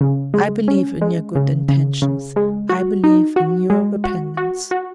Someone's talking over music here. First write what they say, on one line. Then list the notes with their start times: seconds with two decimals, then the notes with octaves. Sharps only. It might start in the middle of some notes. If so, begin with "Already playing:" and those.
"I believe in your good intentions; I believe in your repentance."
0.01 C#3
0.34 G#3
0.68 C#4
1.01 G#3
1.35 C#3
1.69 C#3
2.02 C#3
2.36 G#3
2.69 F#4
3.04 D#4
3.36 F#4
3.70 G#3
4.04 F#4
4.37 F#4
4.71 F#4